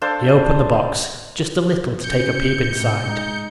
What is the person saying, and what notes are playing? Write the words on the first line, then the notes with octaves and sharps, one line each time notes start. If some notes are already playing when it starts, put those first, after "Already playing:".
She opened the box just a little to take a peep inside.
D4 A4 C5 F5
C#3 G6 C#7
A2 C3
G#3 D#4